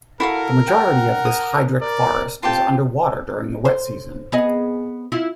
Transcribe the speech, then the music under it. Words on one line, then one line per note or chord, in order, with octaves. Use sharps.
The majority of this hydric forest is under water during the wet season.
E4 F#4 A4 A#4 F5
F#5 G5
D#6
A#4 D5
C4 F4 G4 G5 A5
C5
B3 G#4 D#5
E4 F4